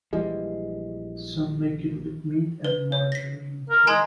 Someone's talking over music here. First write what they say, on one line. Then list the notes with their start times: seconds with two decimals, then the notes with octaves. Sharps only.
Some make it with meat and margarine too.
0.13 A#1 E3 G3 G#3
2.65 B4
2.92 C#5
3.12 A#6 B6
3.70 A#4
3.87 G#3 G#5 A#5 C6